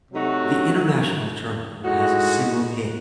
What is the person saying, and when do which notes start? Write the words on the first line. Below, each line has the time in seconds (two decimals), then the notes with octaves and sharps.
The international terminal has a single gate.
0.11 C3 F#3 A3 D#4 F#4
1.83 A2 G#3 D#4 F#4